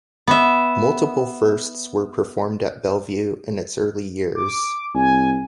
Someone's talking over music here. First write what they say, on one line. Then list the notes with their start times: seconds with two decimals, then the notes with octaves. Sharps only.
Multiple firsts were performed at Bellevue in its early years.
0.27 B3 E5
4.35 D6
4.95 C2 G#5